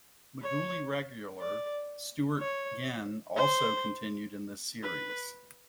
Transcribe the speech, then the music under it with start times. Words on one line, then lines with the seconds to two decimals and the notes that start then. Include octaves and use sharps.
"McGooley" regular Stewart Ginn also continued in this series.
0.43 C#5
1.40 D5
2.39 C#5
3.36 C5
4.83 B4